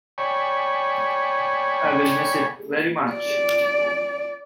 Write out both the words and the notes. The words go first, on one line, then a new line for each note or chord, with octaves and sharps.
I will miss it very much.
C#5 D5 G5 G#5 B5 C#6
D5